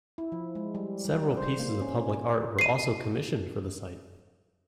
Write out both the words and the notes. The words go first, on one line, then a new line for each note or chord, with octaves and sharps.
Several pieces of public art were also commissioned for the site.
E4
F3
G#3
G3
G3
C5
A#3
C#4
C7 D#7